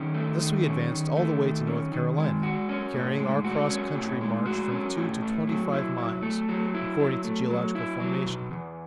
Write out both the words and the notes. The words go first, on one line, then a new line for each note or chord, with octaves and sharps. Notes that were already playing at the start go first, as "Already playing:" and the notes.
Thus we advanced all the way to North Carolina, varying our cross-country march from two to twenty-five miles, according to geological formation.
Already playing: D#3 C#4
A3
D#3
C#4
D#3
A3
D#3
C#4
D#3
G#3
F#4
C#4
A2
G#3
F#4
C#4
A2
G#3
F#4
C#4
A2
A3
F#3
E4
F#3
A3
F#3
E4
F#3
A3
F#3
E4
F#3
B2
E2